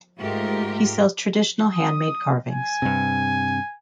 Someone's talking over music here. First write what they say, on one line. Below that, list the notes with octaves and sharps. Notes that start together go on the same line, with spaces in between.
He sells traditional handmade carvings.
G#2 A3 F4 G4 A#4
D#6
G#5
G2 C3